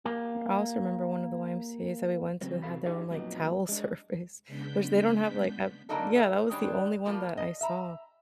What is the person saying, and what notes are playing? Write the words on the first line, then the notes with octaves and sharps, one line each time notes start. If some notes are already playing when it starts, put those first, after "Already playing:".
I I also remember one of the YMCAs that we went to had their own, like, towel service, which they don't have, like, a yeah, that was the only one that I saw.
A#3 G4
C#3 F#3 C4 C#4
C3 F#4 A4 F5 B5
D#4 G4 G#4 D5 E5 F5
F2 A#2 F#3 G3 B3 D#4
G#3 D4
C#3 G#3 B3 D4 G6 B6
D3 F#3 A#3 D4 D#4 A4
A3
D#3 G3 G#3 D4 C#5
F3 G3 A3 A#3 F4
D#5
E5 A#5